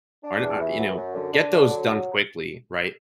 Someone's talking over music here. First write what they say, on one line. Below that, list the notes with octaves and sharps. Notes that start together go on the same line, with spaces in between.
Aren't I you know, g get those done quickly, right?
D4
E2
E3
F#3
F#2
D3
D4
D3
F#3